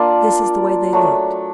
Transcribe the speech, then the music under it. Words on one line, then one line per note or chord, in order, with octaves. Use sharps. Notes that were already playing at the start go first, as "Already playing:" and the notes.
This is the way they looked.
Already playing: A#3 D4 F4 D5
F#3 A3 D4